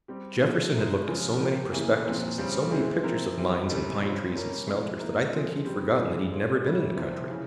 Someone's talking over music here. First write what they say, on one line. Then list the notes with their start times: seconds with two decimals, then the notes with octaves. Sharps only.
Jefferson had looked at so many prospectuses and so many pictures of mines and pine trees and smelters, that I think he'd forgotten that he'd never been in the country.
0.08 G3 C4 G4
0.41 F3 G#3 E4
0.74 G#3 E4 A#4
1.07 C#3 F3 G#3
1.39 F3 C4 G4 A#4
1.72 C#3 E3 A#3 E4
2.05 A#2 F3 C4
2.38 C#3 G3 C4
2.71 E3 G#3 C4 E4
3.03 F3 C4 E4 A#4
3.36 E3 G3 C4 E4
3.69 C3 E3 G3 C#4
4.02 C3 G3 C#4 F4 C5
4.35 G3 C#4 G4 A#4
4.67 F3 G#3 C4 E4
5.00 A#3 E4 A#4
5.33 F3 C4 F4 G#4
5.66 G3 C4 G4
5.99 E3 G3 C4 F4 G#4
6.31 G#3 C#4 F4
6.64 G3 C#4 E4
6.96 C3 F3 C4 E4
7.30 C#3 E3